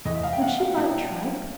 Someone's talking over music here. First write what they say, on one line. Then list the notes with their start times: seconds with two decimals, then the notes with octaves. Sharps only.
Would she like tripe?
0.05 E2 C3 E3 A3 D#5
0.15 E5
0.23 F5
0.33 G5
0.41 F#5
0.59 F5
0.77 A#2 G3 B3 E4